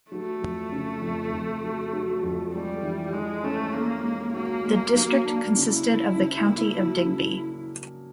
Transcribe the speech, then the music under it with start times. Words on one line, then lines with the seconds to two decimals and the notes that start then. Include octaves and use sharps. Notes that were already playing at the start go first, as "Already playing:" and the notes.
The district consisted of the County of Digby.
0.11 F#3 A3
0.42 F2
0.72 C#3
1.02 F2
1.32 F2
1.62 F#3
1.93 F#3
2.23 F2
2.53 G3 G#3
2.83 E3
3.13 E3 G#3
3.43 A3 C#4
3.73 A#3 C#4
4.03 G#3
4.33 A#3 F#4
4.64 G#3
4.94 F#3
5.25 D4
5.55 C#3 E4
5.84 C#3
6.15 C#3
6.45 A#3
6.74 F#3
7.05 C#3